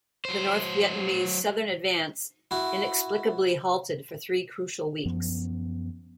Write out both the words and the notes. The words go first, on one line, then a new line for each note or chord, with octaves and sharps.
The North Vietnamese southern advance inexplicably halted for three crucial weeks.
F#3 C5
E4 F#4
F#2 F3 B3